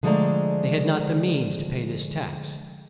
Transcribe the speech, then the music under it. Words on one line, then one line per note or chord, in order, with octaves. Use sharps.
They had not the means to pay this tax.
D3 F3 G#3 A3 D5 A#5